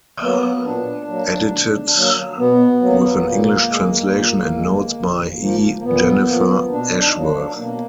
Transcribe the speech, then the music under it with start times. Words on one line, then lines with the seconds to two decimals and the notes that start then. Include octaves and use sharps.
Edited with an English translation and notes by E. Jennifer Ashworth.
0.21 F#3 A#3 B3
0.65 A#2 D4
1.08 F#3 A#3
1.52 B2
1.95 F#3 A#3
2.38 B2 B3
2.81 F#3 A#3
3.25 A#2 A#3
3.68 G#3
4.11 A#2
4.55 G#3
4.98 A#2
5.41 F3 A#3
5.77 A#3
5.84 A#2 B3
6.27 F3 A#3
6.71 B2 D4
7.06 D#4
7.14 F#3 A#3 D4
7.57 B2 A#3